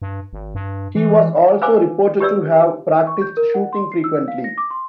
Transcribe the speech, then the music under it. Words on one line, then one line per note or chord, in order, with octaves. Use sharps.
He was also reported to have practiced shooting frequently.
G2
G#1
G2
E3
B4 C5 F5 G#5 D6
G4 B4 C#5 D5 E6
C#6
G6
A#4
F#5
C6
C7
E6
F5
A#6
D6
C6